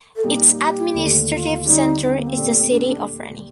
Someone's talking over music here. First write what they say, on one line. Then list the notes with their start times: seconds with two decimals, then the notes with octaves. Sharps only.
Its administrative center is the city of Reni.
0.16 A4
0.24 A#2 G3 A#3 D#4 G4
0.60 G4
0.94 D#2 D3 A3
1.30 F4
1.65 D3 G3 D4 D#4 G4
2.01 D#4
2.10 C4
2.18 A#3
2.27 C4
2.36 A#2 A3 D4 G4
2.71 D4
2.81 C4
2.89 D4